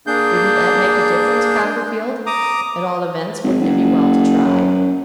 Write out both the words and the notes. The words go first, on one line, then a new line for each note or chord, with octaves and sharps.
Wouldn't that make a difference, Copperfield? At all events, wouldn't it be well to try?'
A#3 D4 G#4 G6
A#5 D6 D#6
G#1
F#1
F#2